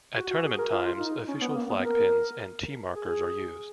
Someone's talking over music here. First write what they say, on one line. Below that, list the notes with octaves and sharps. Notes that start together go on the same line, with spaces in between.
At tournament times, official flag pins and tee markers are used.
F#4
F#4
G#4
A#4
F4
D#4
C#4
B3
A#3
B3
A#4
G#4